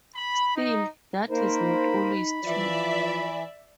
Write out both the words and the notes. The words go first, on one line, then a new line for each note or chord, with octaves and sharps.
Still, that is not always true.
B5
D#4
A#3 D#4 A#4 C5 B5
E3 F3 F4 D5 E5